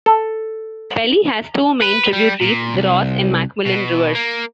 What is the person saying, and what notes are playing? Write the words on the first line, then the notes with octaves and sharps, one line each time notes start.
The Pelly has two main tributaries, the Ross and Macmillan rivers.
A4
B4
G3
A#2
C2
B2
A#3